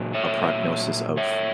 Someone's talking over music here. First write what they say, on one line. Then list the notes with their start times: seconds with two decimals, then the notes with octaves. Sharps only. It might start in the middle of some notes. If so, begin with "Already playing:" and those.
a prognosis of
Already playing: A#2 F#3
0.15 C#5 E5
1.17 C#5 E5